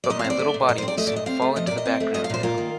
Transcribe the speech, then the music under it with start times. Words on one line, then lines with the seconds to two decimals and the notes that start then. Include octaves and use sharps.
But my little body will soon fall into the background now.
0.04 D5
0.10 A#2 D#5
0.19 F5
0.24 C4
0.30 D5
0.39 A3
0.54 A#2
0.69 A#2 D#5
0.78 C5
0.82 C4
0.88 D5
0.97 A3 D#5
1.07 D5
1.12 A#2 D#5
1.26 C4 F5
1.42 A3
1.56 F3 D#5
1.67 A#2 D5
1.78 D#5
1.85 C4
2.00 A3
2.14 F3 D#5
2.24 F5
2.30 A#2 C5
2.43 A#3 F4
2.58 D#3